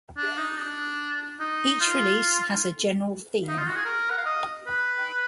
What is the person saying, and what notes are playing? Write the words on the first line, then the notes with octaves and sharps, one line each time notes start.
Each release has a general theme.
D4
D#4
D4
D#4
F4
D#4
F4
F#4
G#4
A#4
F#5
F5
D#5
B4